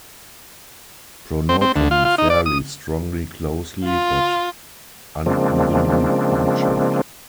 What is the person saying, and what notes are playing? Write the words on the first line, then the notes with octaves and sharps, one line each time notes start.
Pronotum fairly strongly closely but unevenly punctured.
C4
C4
D2
F4
F4
D#4
D5
D#6
F4
C#3 F3 G#3 A#3 C4 D4